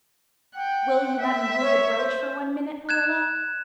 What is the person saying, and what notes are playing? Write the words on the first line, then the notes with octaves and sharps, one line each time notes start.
Will you let me hold the brooch for one minute, Marilla?
F#5 G5
E5
C#5
C5
F#6 G#6 E7